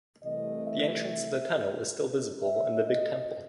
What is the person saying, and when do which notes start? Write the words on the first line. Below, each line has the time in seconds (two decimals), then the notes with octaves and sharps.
The entrance to the tunnel is still visible in the big temple.
0.22 C2 C3 E3 A3 D#5
0.66 E5
2.43 E5
2.87 D#5